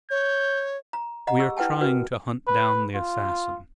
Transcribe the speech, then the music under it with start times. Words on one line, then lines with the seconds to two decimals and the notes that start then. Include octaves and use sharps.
We are trying to hunt down the assassin.
0.11 C#5 G6
0.93 A#5
1.27 D#5 F#5 A#5
1.39 G4 G#4 E6
1.57 E4 B4 F#5 G5 A5
1.81 F#4 A#4 B4
2.47 B4
2.95 F4